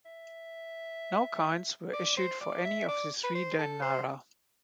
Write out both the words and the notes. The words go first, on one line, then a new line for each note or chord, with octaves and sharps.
No coins were issued for any of the three dinara.
E5
D5
C5
D5
E5
D5
B4
C5
A4
C5